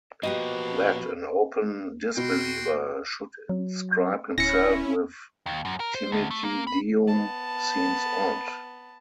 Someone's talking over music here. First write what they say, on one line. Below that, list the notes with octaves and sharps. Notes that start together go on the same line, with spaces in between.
That an open disbeliever should inscribe himself with Timete Deum seems odd.
B2 F3 A#3 F#4 G4 D#5
B2 F#4 G5 C6
F#3
D1 C#4 E4 A#6 C#7
D#2
F#2
A#4
C5
D2
A3
A#3
B5
B3 A5